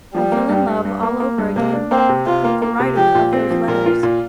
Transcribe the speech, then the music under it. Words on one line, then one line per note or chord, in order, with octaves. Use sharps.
I fell in love all over again--with the writer of those letters.
F3 G3
A#3
G2
G2
G2
A#3
A#3
G2
C3 A#3
D4
A#3 C4
C3
C3 F4
A#3
A#3
C3
F3 G4
A#2
C4
F3
A#2 A#4
F4
A#2